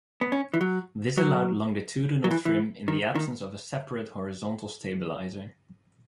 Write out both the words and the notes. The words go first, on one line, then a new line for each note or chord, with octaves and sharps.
This allowed longitudinal trim in the absence of a separate horizontal stabiliser.
B3
C#4
E3
F#3
F#3
F#3
E3
E3
D#3
D#3